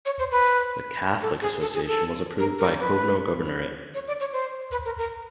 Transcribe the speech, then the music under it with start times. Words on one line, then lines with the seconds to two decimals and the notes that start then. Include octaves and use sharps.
The Catholic association was approved by Kovno Governorate.
0.06 C#5
0.19 C5
0.31 B4
1.22 A4
1.42 G#4
1.61 A4
1.74 G#4
1.87 A4
2.39 A#4
2.59 A#4
2.78 B4
3.94 C#5
4.07 D5
4.20 C#5
4.33 C5
4.71 B4
4.85 A#4
4.98 A#4